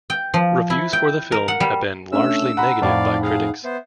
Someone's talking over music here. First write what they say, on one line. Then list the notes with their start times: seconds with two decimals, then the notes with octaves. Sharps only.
Reviews for the film have been largely negative by critics.
0.10 G5
0.34 F3
0.70 E4
0.93 G5
1.32 A#4
1.48 F#5
1.60 G3
2.12 A3 C#4 D4 E6
2.57 F#5 A#5 B5
2.82 F2 A2 D#4 D5 F5
3.23 G#4 F5
3.64 B3 C5 E5